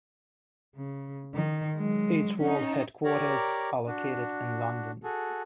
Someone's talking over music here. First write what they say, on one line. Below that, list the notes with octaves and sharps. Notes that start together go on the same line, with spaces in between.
Its world headquarters are located in London.
C#3
D#3
F#3 G#3
C#4 D#4
G4 A#4 C#5 D5 A#5
D4 F#4
F#4 G#4 A4